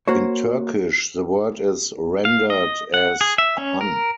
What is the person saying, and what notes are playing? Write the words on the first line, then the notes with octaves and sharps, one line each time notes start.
In Turkish the word is rendered as "han".
A#3 F#4 C5 C#5
F5
D#5
F#5
G#4
E5
C#4
A#4